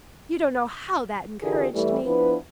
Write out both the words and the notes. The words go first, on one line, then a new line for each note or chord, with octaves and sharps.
You don't know how that encouraged me.
D3 E3 F4 G4 G#4 A#4
E3 G3 A3
F3 B3 D4 E4 B4